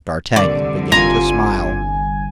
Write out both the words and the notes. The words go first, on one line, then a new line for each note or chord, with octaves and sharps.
D'Artagnan began to smile.
C2 D3 D5
G1 F4 G#5 A#5